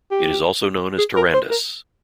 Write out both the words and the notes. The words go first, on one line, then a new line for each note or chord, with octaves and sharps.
It is also known as Tarandus.
G4
G#4
A#4
C5
A#4